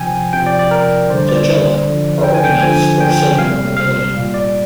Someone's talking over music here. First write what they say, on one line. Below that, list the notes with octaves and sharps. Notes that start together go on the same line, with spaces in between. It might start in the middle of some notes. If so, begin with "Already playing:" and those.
Flagella are organelles for cellular mobility.
Already playing: C3 F3 G5 G#5
C3 F3 G5
D5
D5
A#4
D3 G3 C5
D5
D3 F3
G5
G#5
G5
D3 F3 G#5
G5
C3 G3 F5
F5
A#2 G3
D5